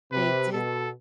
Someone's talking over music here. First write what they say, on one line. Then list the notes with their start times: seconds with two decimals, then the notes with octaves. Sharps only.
They did
0.11 C3 B4
0.52 B2 A4